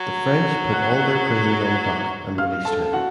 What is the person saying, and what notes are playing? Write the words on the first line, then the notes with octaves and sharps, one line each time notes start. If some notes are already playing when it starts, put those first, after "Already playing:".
The French put all their prisoners on "Duck" and released her.
Already playing: F#3
F#5 F#6
F5 F6
A4 A5
F#4 F#5